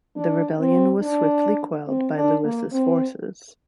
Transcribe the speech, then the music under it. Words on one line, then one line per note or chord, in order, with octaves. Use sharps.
The rebellion was swiftly quelled by Louis' forces.
D4
C4
D4
C4
D4
A#3
C4